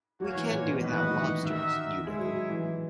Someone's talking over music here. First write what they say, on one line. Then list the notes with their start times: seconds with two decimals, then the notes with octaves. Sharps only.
We can do without lobsters, you know.
0.20 F#3 A#3 C#4 F#4 C#5
0.36 E3
0.51 A#2
0.67 B2
0.81 D#3 F#4 B4 D#5 F#5
0.91 E3
1.00 D#3
1.11 E3
1.20 D#3
1.43 D#3 D#4 F#4 A#4 E5
2.04 G#3 E4 G#4 C#5 E5
2.19 F#3
2.35 F#3
2.50 E3